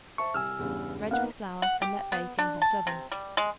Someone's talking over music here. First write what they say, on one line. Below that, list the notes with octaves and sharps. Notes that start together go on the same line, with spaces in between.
Dredge with flour and let bake in a hot oven.
C5 E5 A5 C#6
C2 G#5 E6 F6
E2 G2 C#3
A#3 B3 D#4 F5 F#5
F#5
G4
B3
D4
A5
C3
G3
G#3